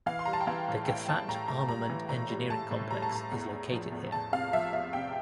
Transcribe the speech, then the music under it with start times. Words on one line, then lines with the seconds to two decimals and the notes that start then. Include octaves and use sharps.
The Gafat Armament Engineering Complex is located here.
0.06 E3 F5
0.19 C6
0.26 G3 A#5
0.33 A5
0.41 G5
0.47 E3 F5
0.68 A2
0.88 E3 G5
1.08 E3 A5
1.28 A2 A#5
1.48 A2 A#5
1.69 G3 A#5
1.90 E3
2.09 A2 A#5
2.30 G3
2.50 A2 A5
2.71 A2
2.91 G3 A#5
3.02 A5
3.12 A2 A#5
3.31 E2
3.52 E2
3.72 F3
3.92 E2
4.12 E2 A5
4.33 C3 F5
4.53 F3 E5
4.73 E2 E5
4.93 C3 G5